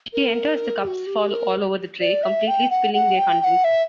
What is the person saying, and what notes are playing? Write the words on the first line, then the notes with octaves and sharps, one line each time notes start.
As she enters, the cups fall all over the tray, completely spilling their contents.
A#4
G4
F#4
G4
A#4
D5
E5
G5
F#5
F#5
G5
G5
F#5
E5